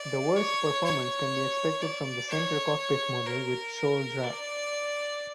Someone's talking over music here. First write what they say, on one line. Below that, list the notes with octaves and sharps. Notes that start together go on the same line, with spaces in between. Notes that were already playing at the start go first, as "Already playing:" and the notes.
The worst performance can be expected from the center cockpit model with shoal draft.
Already playing: D5
C#5
C#5
D5
C#5
A#4
D5